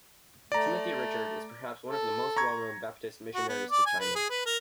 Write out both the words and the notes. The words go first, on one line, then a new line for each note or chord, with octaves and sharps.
Timothy Richard is perhaps one of the most well-known Baptist missionaries to China.
A3 D5 A#5
A4
A#5 C#6 G#6
F#4
B3
D5
G#5
B4
G#4
B4
A#4